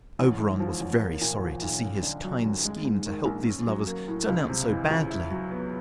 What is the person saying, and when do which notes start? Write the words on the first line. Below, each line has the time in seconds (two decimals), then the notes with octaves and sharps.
Oberon was very sorry to see his kind scheme to help these lovers turn out so badly.
0.19 A1
0.39 G#2
0.60 F3
0.80 A1
1.01 A#3
1.21 A#2
1.42 F3
1.62 B1
1.83 F#2
2.03 D3
2.24 F#3
2.44 F#2
2.65 G#3
2.85 G#2
3.06 D#3
3.25 A#1
3.46 C#4
3.67 F#3
3.87 A#3
4.08 A2
4.29 C#2
4.49 C3
4.69 E3
4.90 C#2
5.10 E4
5.30 F#3
5.51 B3